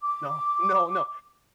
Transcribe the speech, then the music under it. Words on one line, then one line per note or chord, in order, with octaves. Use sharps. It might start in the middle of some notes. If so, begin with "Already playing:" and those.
No, no, no.
D6